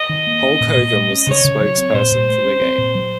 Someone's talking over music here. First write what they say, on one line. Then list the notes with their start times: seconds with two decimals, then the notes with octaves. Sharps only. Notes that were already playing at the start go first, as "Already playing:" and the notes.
Hulk Hogan was the spokesperson for the game.
Already playing: D#5
0.09 D#3
0.27 A#3
0.42 C#4
0.60 A#2
0.77 A#2
0.93 A3
1.11 C#4
1.27 C#3 C#5
1.44 C#3
1.61 F#3
1.78 C4
1.94 A#2 C5
2.12 A#2
2.29 A3
2.45 C#4
2.61 C4
2.78 A#2
2.95 F#3